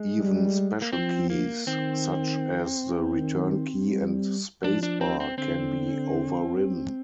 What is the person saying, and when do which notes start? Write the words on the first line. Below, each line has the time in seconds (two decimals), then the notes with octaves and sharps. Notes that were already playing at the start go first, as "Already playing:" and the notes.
Even special keys such as the return key and spacebar can be overridden.
Already playing: G#3
0.19 G3
0.82 A#3
0.93 F3 C4
1.30 A#3
1.67 D#3 C4
3.15 D#3
3.89 G3
4.64 F3 D4
4.83 D4
5.01 C4
5.20 C4
5.38 D3 C4